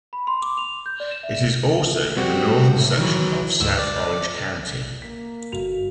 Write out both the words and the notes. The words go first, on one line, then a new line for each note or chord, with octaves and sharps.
It is also in the northern section of South Orange County.
B5
C6
D6
F7
G6
D5
E7
E5
G3 C4 F#4
A2
D#3 E3 F#3
D2 G#2 E6
D5
A#3 B6
G1 F#4 F5 F7